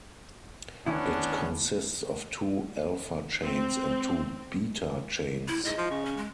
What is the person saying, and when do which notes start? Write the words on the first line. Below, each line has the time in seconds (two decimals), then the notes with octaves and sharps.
It consists of two alpha chains and two beta chains.
0.86 D2 D#3 B3 C#4 D4 E4
3.43 C4
5.48 E4
5.65 G#2 D#5
5.78 F3
5.90 C#3
6.05 C#4
6.17 G#3